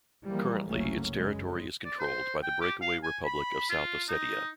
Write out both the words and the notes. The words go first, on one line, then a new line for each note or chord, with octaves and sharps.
Currently, its territory is controlled by the breakaway Republic of South Ossetia.
E3 F3 G3 G#3 A#3
F#1 C2 F#3 A3 A#3 C#4
F#2 C#3 G#3
D5
C5
G5
G4
F5
G#5
B5
F4
D#4